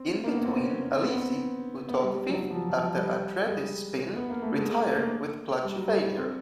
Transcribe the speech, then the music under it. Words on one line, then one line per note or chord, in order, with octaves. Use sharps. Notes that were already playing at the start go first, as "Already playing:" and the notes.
In between, Alesi, who took fifth after Andretti's spin retired with clutch failure.
Already playing: C4
A#3
B3
B3
C4
C4
C#4
C#4
C4
B3
C4
B3
G3
G3
F#3
F#3
F3
F#3
F3
F#3
G3
G3
G#3
B3
A#3
A3
G#3
A3
A#3
G3
F#3
G3
C4